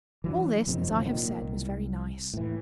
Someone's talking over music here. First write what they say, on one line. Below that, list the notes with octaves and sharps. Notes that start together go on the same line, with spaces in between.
All this, as I have said, was very nice.
E3 F#3 D4
F#1 F2 C3 D#3
A1 D3 F3 F#3
B1 A#2 D#3
C2
A2 E3